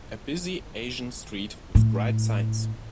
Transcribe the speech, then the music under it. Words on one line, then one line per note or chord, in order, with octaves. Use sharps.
A busy Asian street with bright signs.
A2